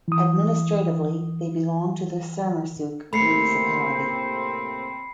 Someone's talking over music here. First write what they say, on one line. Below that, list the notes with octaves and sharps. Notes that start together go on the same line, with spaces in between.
Administratively they belong to the Sermersooq municipality.
E3 D#6
A2 C3 A3 A#3 C4 B5 C7 C#7